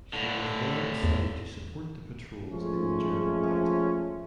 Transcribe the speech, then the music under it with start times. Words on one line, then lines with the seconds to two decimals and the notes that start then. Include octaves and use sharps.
She was then assigned to support the patrols in the German Bight.
0.13 A2 D3
1.04 E2
2.52 F3 G#3 A3 C#4